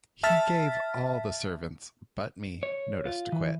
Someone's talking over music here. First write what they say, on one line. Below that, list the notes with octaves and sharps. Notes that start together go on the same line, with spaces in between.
He gave all the servants, but me, notice to quit.
E5 A5 F6 A6 B6
C#5
F4
E3